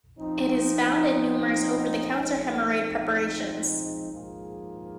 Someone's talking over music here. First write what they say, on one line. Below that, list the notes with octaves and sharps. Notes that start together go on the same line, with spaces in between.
It is found in numerous over-the-counter hemorrhoid preparations.
F3 C4 D#4
F3 G#3 C4 D#4
G#2 F3 A#3 F4 G#4